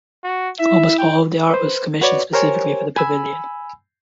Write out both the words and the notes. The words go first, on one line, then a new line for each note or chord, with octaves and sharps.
Almost all of the art was commissioned specifically for the pavilion.
F#4
E4 E5
G5
B4 C5
F#4 B4 C#5 D5
G4 A#4 C5 C#5 G#5
G#5 B5 E6